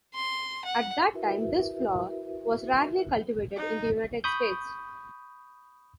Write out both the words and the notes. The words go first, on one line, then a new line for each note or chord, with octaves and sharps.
At that time this flower was rarely cultivated in the United States.
C6
F#5
E4 F#4 A#4 B4 E5
D#4
B5 C#6 D#6 G6